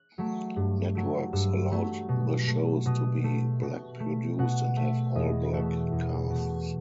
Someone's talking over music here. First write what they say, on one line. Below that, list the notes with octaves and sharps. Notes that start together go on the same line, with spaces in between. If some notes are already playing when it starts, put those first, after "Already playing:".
Networks allowed the shows to be black-produced and have all-black casts.
Already playing: F#6
F#3 A3
G2
F#3 A3
G2 E6
F#3 A3
B2
A3
B2 D#6
A3
B2
A3
B2 F#5
A3 E5
E2 D#5
B2 A3 E5
E2
B2 A3